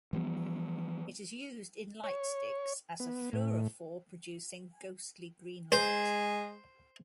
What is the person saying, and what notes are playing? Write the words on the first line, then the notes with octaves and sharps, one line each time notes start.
It is used in lightsticks as a fluorophor producing ghostly green light.
E3 F3 G3 B3
C#5
B3
A2
G#3 G#4 C5